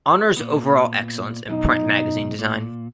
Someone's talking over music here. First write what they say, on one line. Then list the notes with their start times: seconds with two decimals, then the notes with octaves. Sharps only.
Honors overall excellence in print magazine design.
0.37 A#2 B3
1.50 F#2 B2 D#4
2.39 A#2